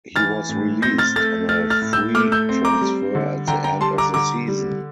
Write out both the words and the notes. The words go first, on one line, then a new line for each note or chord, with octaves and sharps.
He was released on a free transfer at the end of the season.
E3 F6 A6
A2
C4 G6 A#6
F6 A6
A3 F6 A6
A3 F6 A6
F6 A6
A2
E6 G6
A3 D6 F6
E6 G6
C4
A#5 D6
G3
D3
D3 G5 A#5
G5 A#5
G3 A5 C6
A#5 D6
D3 A#5 D6
G3